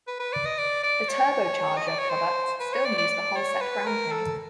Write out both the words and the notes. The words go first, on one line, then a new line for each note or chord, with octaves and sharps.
The turbocharger products still use the Holset brand name.
B4
B4
D5
D#5
D5
D5
C#5
D#5
D5
C#5
C5
B4
C#5
D5
D5
D5
C#5
B4
A#4
A4